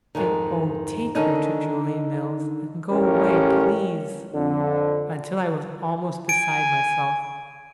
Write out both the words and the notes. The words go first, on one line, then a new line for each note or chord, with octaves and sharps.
And oh, take her to Julia Mills, and go away, please! until I was almost beside myself.
F2 G#2 D#3
D3 D#3 C#4 D#4
A1 C#4 G4 A#4
F2 D3
G#5 D7